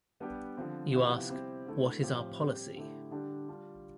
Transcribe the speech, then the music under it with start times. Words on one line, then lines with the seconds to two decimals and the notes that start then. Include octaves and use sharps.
You ask, what is our policy?
0.20 G3 B3 D4 G4
0.57 D3 F3 C4
0.93 C3 F3 B3 E4 G4
1.30 G3 C4 E4 G4
1.67 D3 A3 E4
2.02 A2 F3 C4 G4
2.39 G3 C4 G4
2.76 D3 A3 E4 G4
3.11 D3 G3 D4 G4
3.48 G3 D4 F4